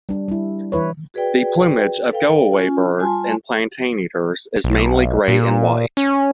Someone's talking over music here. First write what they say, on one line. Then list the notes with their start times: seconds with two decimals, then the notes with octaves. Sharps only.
The plumage of go-away-birds and plantain-eaters is mainly grey and white.
0.09 G3 D4
0.28 G3 E4
0.72 E3 E4 B4 C#5
1.14 F#4 G#4 B4 D5 G5
2.10 A4 B4 F5 G5
2.51 C#4 F4 G#5
2.99 G3 F4 G#5 A5 C6
4.64 B1
5.28 A#2
5.97 C#4